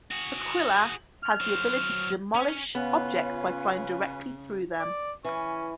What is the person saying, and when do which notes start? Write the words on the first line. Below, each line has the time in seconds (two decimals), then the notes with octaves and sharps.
"Aquila" has the ability to demolish objects by flying directly through them.
0.11 F#4 G#4
1.23 F6
1.41 F#3 C5
2.35 C#4
2.75 C#3 B3 C#4 F4 B4 C#5 F5
4.79 D5
5.25 E3 C#4